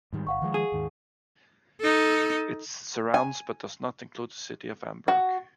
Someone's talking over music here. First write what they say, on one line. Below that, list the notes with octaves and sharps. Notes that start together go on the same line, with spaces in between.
It surrounds but does not include the city of Amberg.
G#2 D#3 G3
G1 F5 F#5 C#6
D#3 F3 G#3
G#4
D#2 G#2 D#3
D#4 A4
G#5
F#4